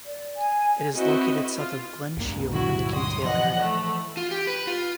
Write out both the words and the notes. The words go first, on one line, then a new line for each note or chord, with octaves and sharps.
It is located south of Glen Shiel in the Kintail area.
D5
G#5
C4 E4 F#4 B4 D#5
F4
C#2 G2 A#3
A#2 D3 F#3 E4 F#4
C6 D#6
E3 F3 D#5 F#5
A3
F4
G4
B4
F4